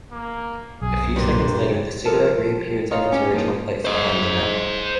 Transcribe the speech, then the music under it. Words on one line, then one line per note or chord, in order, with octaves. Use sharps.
A few seconds later the cigarette re-appears in its original place, behind the nut.
A#3
B1 F#2 C3 G#4 A6
G2 A#2 C5
F3 G3 A4 A#4 A5
D#4 F4 G#4 C#5 D#5 F5
B3 C#4 G4
F3 A#3 D#4
C5 D#5